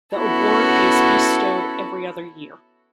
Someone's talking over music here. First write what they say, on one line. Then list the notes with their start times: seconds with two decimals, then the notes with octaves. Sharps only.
The Award is bestowed every other year.
0.16 B3 C#4 E4 F#4 A4